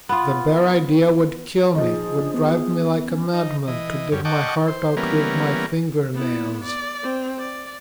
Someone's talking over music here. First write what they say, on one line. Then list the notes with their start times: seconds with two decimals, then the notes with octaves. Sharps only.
The bare idea would kill me--would drive me like a madman to dig my heart out with my finger-nails!
0.09 B3 F4
1.75 F3 D#4 G#4
2.19 D4
2.34 B3 G#4
3.02 C#4
3.33 D#4
3.68 E3 D#5
4.12 F#2 G3 C#4
4.25 D#5 F#5 G5 A5 C#6 D6
4.68 C5
4.97 E3 G3 A#3 B3 C#4 A#4
6.14 B3 E4
6.64 D5
7.03 C4
7.38 D5